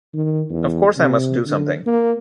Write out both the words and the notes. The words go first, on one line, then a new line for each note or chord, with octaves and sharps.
Of course I must do something.
D#3
E2
C3
D3
A#3